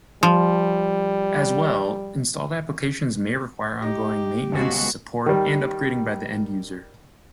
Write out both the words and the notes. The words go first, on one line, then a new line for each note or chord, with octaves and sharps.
As well, installed applications may require ongoing maintenance, support, and upgrading by the end-user.
F3 G3
D#4 G4 A#6
D#1 C#2 G#3 B3 F#4
D#3 G3